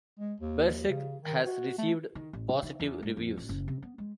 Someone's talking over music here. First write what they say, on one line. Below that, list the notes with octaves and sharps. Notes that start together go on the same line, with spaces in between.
Bersirc has received positive reviews.
G#3
D#2
C#3
D#3
F#4
A3
D#3
A1
C2
D#3
E2
G#2
F2
A1
F#1
C3
B3
G#3